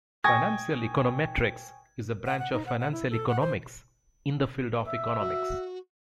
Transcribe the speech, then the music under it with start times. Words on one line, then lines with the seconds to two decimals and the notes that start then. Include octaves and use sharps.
Financial econometrics is a branch of financial economics, in the field of economics.
0.24 G5 G#5 C#6 D#6 G#6 A#6
2.26 F#5
2.39 F#5
2.53 D#4
2.66 F#5
2.80 F#5
2.92 E4
3.10 A4
3.28 F#5
3.40 C5
4.87 E5
5.20 F#4